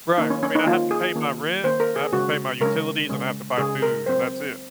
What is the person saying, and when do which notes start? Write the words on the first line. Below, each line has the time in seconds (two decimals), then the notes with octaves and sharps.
Right, I mean, I have to pay my rent, I have to pay my utilities, and I have to buy food, and that's it.
0.18 D#3 A#3 C#4 D#4
0.30 C#4
0.43 C#4
0.55 D#4
0.66 D#3 A#3 C#4 F4
0.91 G#4
1.16 D#3 A#3 C#4
1.64 D#3 A#3 C#4 C5
1.80 A#4
1.96 G#4
2.13 C#3 G#3 C#4 F#4
2.61 C#3 G#3 C#4 A#4
3.09 C#3 G#3 C#4
3.57 C#3 G#3 C#4 G#4
3.82 A#4
4.06 F#3 C4 C5